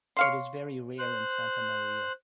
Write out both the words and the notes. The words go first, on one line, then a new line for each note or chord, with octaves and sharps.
It is very rare in Santa Maria.
C#5 F5 C6
C5 F#6